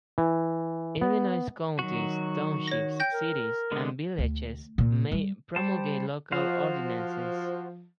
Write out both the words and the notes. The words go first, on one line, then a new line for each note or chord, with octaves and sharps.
Illinois counties, townships, cities, and villages may promulgate local ordinances.
E3
B3
D#3 F#3 F#4
C#5 A#6
G5 G6 A#6
A#4
D3 G#3 B3
D2
A#2
G3
G3 C5 A5
F3 F#4 C5 F5